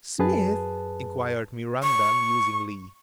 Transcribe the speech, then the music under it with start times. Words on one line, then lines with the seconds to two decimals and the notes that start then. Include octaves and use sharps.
"Smith?" inquired Miranda, musingly.
0.19 F#2 G#4 B4 A5
1.83 C#6